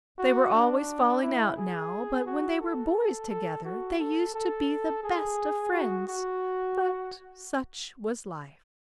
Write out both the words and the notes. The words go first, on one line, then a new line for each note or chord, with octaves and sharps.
They were always falling out now but when they were boys together they used to be the best of friends: but such was life.
F#4
D4
E4
G#4
F#4
A4
A4
F#4
A4
A4
G#4
F#4
F#4